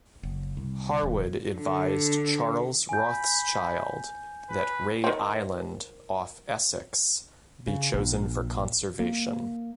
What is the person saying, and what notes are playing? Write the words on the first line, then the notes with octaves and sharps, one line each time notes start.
Harwood advised Charles Rothschild that Ray Island off Essex be chosen for conservation.
F#1
C2
E1
D3
G#5 B5 G6
B4
D#3 C4
C#3
A#1
A#3